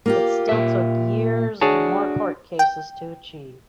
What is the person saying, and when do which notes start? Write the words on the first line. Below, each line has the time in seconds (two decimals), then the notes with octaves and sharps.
It still took years and more court cases to achieve.
0.06 A#3 F4 G4
0.49 A#2 E5
1.61 D4 F#4 G#4 C#5 A5
2.59 G5